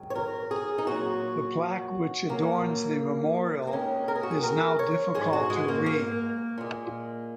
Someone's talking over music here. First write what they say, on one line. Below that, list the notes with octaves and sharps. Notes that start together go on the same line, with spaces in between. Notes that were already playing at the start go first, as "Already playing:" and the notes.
The plaque which adorns the memorial is now difficult to read.
Already playing: G#2 D#3 F#3
C#5
A#4
G#4
D#4
A#2 F#3 F#4
A#2 F#3 A#3
A#3
D#2 D#3 G#3 C#4
A#4
G#4
F#4
G#4
A#4
C#5
G#2 G#3 G#4
F#4
G#3
A#3
A#3
A#2 G#3